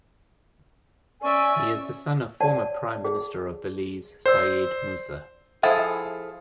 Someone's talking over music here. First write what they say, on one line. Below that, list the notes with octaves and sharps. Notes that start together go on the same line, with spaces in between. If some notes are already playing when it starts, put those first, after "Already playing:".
He is the son of former Prime Minister of Belize Said Musa.
C#4 D5 E5 G#5 C#6
C#5 D5 A5
G#4
C5 D5 E6
F3 E4 G#4 A4